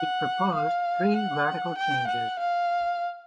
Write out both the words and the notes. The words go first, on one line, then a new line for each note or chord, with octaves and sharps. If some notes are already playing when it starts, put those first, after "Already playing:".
He proposed three radical changes.
Already playing: F#5
F5
F#5
G5
F#5
F5